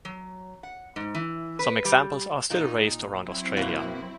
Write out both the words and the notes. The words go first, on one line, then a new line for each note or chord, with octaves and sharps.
Some examples are still raced around Australia.
F#3
F#5
G#2
E3
B4
G3
A#2 D#4
F#3 C4 E4
F#2 B2 A#3